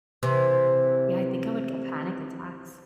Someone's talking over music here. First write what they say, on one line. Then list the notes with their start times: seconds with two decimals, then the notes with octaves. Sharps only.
yeah, I think I would get panic attacks.
0.23 C3 E3